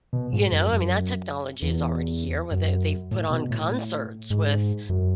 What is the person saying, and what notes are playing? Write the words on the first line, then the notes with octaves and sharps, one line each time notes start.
You know, I mean, that technology is already here, where they they've put on concerts with,
B2
G#2
F#2
F#2
E2
F#2
A2
B2
A2
G#2
F#2